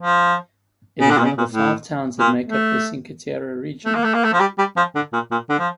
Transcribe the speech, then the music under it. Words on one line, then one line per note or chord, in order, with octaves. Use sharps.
It is one of the five towns that make up the Cinque Terre region.
F3
C#3
D3
A#2
C#3
A#2
A2
A#2
A3
A3
A#3
A3
A#3
A3
F3
G3
G3
F3
D3
A#2
A#2
D3
F3